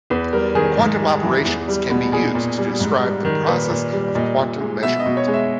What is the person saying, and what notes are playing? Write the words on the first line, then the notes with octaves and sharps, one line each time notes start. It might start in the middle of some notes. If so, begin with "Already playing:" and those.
Quantum operations can be used to describe the process of quantum measurement.
E2 B4
G3 A#4
D#3 G#4
G#2
G3
E3
E2
G3
B2
A#2 G#4
A#2
G3
G#2
G3
D#3
A#2 B4
A#2
G3
A#2 D#5
A#2
G#3
B2 E5
D#5
B2
C#5
G#3
E5